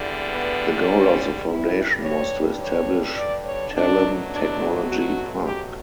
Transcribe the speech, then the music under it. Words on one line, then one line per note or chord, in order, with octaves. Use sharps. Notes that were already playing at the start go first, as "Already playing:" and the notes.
The goal of the foundation was to establish Tallinn Technology Park.
Already playing: E2 D3 G3
B3
C#4
G2 D3 G3 E4
C#5
C#5
D5
C#5
B2 F#3 A3 D4
D4
F#4
G4